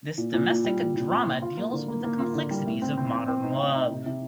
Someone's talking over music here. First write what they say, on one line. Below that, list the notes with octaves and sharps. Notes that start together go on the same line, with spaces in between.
This domestic drama deals with the complexities of modern love.
A#2
A#2
A#2
G3
A#2
A#2
C4
A#2
F4
A#3
D3
A#3
A#3
F4
D3
G3
A2
C4
C4
C4
C4
D#4
C4
D#4
C3
C3